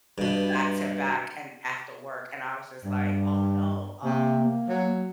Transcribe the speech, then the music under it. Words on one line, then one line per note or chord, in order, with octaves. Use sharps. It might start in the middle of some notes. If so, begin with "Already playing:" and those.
back to back and after work. And I was just like, oh, no. Um,
G2 B2
G2
C3 A#3
A#3
F#3